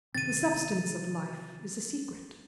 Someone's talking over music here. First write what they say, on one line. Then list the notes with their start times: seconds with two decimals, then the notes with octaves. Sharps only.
The substance of life is a secret.
0.15 C3 D#3 C4 A6 D#7